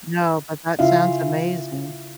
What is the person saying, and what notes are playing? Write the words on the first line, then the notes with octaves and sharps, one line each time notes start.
No, but that sounds amazing.
C#3 C#4 E4 F4 E5 F5